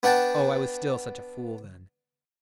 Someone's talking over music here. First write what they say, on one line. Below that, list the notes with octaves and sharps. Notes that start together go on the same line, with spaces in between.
Oh, I was still such a fool then....
B3 D4 F#5 G5 A5